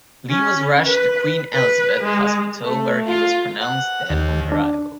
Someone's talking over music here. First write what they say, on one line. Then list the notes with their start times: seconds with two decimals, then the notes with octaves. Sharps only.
Lee was rushed to Queen Elizabeth Hospital where he was pronounced dead on arrival.
0.30 C#4
0.86 B4
1.54 B4
2.04 G#3
2.66 A3
3.07 F4
3.61 F#5
4.10 D#2
4.52 D4